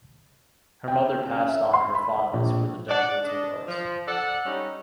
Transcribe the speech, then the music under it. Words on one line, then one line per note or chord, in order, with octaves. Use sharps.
Her mother passed on her fondness for the decorative arts.
G5
C#4
E5
C6
B5
A#1
D5 F#5
D4 D#5
F3
A4 D5 F#5
G3 C#4 D#4